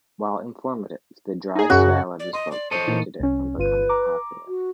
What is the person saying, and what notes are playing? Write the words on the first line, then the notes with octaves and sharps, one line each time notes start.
While informative, the dry style of his book prevented it from becoming popular.
D#4 G#4
F#2 C#3 F#4
D5
D#5 C6
D5
A4 C5 C#5 D#5
A#2 E3 A#3 D#4
C2 C#4
G1 F4 B4 D#7
A#5 D6
F#4